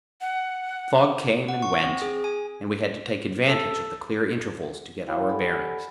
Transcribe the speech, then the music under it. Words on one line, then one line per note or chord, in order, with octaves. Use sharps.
The fog came and went, and we had to take advantage of the clear intervals to get our bearings.
F#5
F#5
C#6
C4
G#4
G#5
A4
E4 F#4 C#5 F5 G5 B5
G4 A4 D5 F#5 G#5 B5